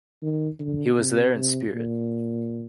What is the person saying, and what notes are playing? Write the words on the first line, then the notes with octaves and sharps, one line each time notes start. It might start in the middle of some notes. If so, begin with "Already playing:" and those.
He was there in spirit.
D#3
D3
C3
C3
A#2